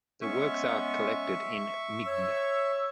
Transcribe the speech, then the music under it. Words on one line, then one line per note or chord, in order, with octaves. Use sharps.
The works are collected in Migne.
G#3 B3 C#4 E5 C#6
C#5 E6